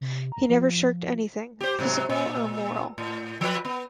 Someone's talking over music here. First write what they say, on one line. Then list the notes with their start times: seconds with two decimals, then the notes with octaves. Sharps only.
He never shirked anything, physical or moral.
0.01 C3
0.32 A#5
0.49 F3
1.61 G4 C5
1.79 G#2 C3 F#3
2.10 A#2
2.98 A2
3.41 F3 B4
3.65 B3